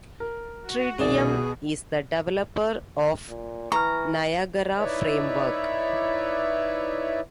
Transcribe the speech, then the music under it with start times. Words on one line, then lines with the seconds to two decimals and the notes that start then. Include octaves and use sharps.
Tridium is the developer of Niagara Framework.
0.20 A#4
0.62 F#4
0.99 C2 B2 D#3 G#4 D5
3.29 A#2
3.72 E3 A#5 C#6 F6
4.78 D#4 E4 B4 C#5 D5 E5